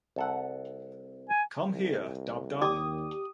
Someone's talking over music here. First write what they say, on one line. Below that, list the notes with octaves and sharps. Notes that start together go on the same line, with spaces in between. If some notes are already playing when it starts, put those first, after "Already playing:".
Come here, Dab-Dab.
C2 A4 F#5
G#5
C2
D#2 G4 D5 D6 D#6